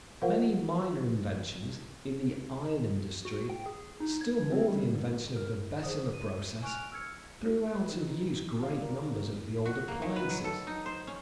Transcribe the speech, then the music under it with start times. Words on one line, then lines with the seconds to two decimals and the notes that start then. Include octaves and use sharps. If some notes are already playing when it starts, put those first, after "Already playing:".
Many minor inventions in the iron industry, still more the invention of the Bessemer process, threw out of use great numbers of the old appliances.
0.22 F4 A#4 C5 F5 F#5
3.25 F#4
3.50 G5
3.66 G#4
4.00 D#4
4.21 G#6
4.52 C4
4.68 G3
4.92 D3
5.36 A#4
5.83 G#4 C5 D#6
6.13 D#7
6.62 G#5 C#6 F6 F#6 D7 F7
6.92 E6 F6 G#6 C#7
7.76 B4
7.92 E3 D#4
8.63 D5 F5
8.82 F#4 A#4
9.66 F#4
9.88 A#3
10.02 D#3
10.16 B4
10.30 F#3
10.44 A4
10.67 D#4
10.86 C5
11.07 C#4